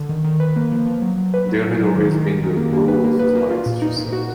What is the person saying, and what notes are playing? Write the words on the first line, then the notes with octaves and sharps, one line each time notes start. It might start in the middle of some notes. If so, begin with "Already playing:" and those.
"There had always been the row of footlights," she said.
Already playing: D3
D#3
D#3
B4
A#3
F3
F3
F#3
F#3
B4
F#3
F#3
F#3
D#3
D#3
G#4
D#3
A#3
A#3
B4
A#3
B4
A#3
F4
A#2
D#4
A#2
F#4